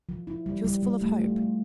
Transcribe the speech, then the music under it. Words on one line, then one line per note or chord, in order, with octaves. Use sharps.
She was full of hope.
F3
E4
G3
G3
G3
A3
F4
A3